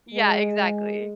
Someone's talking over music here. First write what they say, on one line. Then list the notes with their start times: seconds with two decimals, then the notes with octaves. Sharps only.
Yeah, exactly.
0.13 G#3